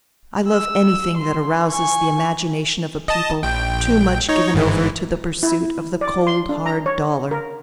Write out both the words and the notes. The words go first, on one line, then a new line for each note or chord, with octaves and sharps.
I love anything that arouses the imagination of a people too much given over to the pursuit of the cold, hard dollar.
E6
C6
G#5 C#6
D#5 A5
A#1 G5
D#4 C#5
G1 G#2 E3
E4
D5
C6
D4
A#5
C#5
A#4